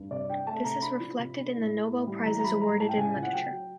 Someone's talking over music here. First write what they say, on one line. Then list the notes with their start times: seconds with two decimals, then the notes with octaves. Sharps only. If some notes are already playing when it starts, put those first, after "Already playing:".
This is reflected in the Nobel prizes awarded in literature.
Already playing: G2
0.11 C3 D5
0.30 D4 G5
0.46 A3 A5
0.64 C3 A#5
0.82 D4 B5
1.00 F3
1.19 C3
1.37 D4
1.54 A2
1.72 A2
1.90 A2
2.07 G3
2.26 E3 A#5
2.39 A#5
2.44 G3 B5
2.61 A2 A#5
2.79 A2 A5
2.89 G5
2.97 C#3 G#5
3.16 C#2
3.23 F#5
3.33 F#3 G5
3.51 F#3